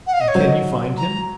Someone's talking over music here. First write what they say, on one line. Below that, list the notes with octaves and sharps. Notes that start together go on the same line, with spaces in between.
"And can you find him?"
F#5
F5
D#5
C#5
F#3 C5
D#5
A#5